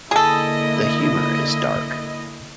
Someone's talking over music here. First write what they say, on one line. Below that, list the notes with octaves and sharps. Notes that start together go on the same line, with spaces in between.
The humor is dark.
D3 A#3 E4 G#4 A4 D#5